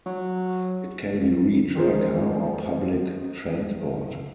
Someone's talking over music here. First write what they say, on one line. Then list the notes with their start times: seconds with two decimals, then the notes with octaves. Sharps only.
It can be reached by car or public transport.
0.06 F#3
1.75 D#3 F3 G#3 C#4 A#4 C5